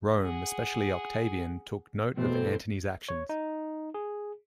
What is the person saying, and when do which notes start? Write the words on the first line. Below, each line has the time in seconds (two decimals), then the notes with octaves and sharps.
Rome, especially Octavian, took note of Antony's actions.
0.22 G#4 F#5
2.17 E1 B2 A3 C4 C5
3.09 C#5
3.29 D#4
3.94 G#4